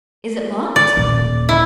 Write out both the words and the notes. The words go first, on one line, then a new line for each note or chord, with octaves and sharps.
"Is it locked?"
D5
D#1
E4